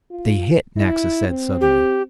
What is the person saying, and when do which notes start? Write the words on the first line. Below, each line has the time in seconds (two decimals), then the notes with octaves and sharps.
"They hit!" Naxa said suddenly.
0.11 F4
0.77 E4
1.29 C4
1.61 G4